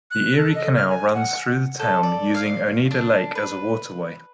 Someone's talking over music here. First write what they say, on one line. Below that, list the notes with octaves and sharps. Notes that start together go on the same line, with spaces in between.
The Erie Canal, runs through the town, using Oneida Lake as a waterway.
F#6
A4
D#5
F6
G#5
F#5
A4
D5
F5
D4
B4